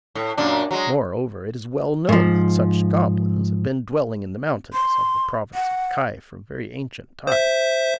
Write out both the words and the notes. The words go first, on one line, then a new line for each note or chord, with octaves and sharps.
Moreover, it is well known that such goblins have been dwelling in the mountains of the province of Kai from very ancient time...
A2
F#2 A#2 D4
F#3 G#3
G#2 F3
C6
F#5
C5 E5